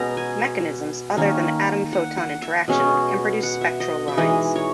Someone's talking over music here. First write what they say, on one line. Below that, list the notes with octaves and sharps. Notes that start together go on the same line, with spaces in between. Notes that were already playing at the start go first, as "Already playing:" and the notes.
Mechanisms other than atom-photon interaction can produce spectral lines.
Already playing: B2 G#3 C#4 A#5
G#5
D#3 A#3 C#4
F#5
F#5
E5
B2 G#3 C#4
F#5
E5
D#5
E5
E3 G#3 D#4 D#5
C#5